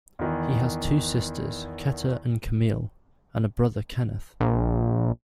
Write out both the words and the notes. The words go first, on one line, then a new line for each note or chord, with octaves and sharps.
He has two sisters, Keta and Camillie, and a brother, Kenneth.
E2 D#3 E3
A#1